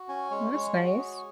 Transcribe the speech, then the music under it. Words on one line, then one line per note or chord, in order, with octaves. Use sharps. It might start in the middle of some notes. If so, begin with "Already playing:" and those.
Well, that's nice.
Already playing: F#4
C#4 G#5
G#3 C#5
G#3 C#5
F#4
G#4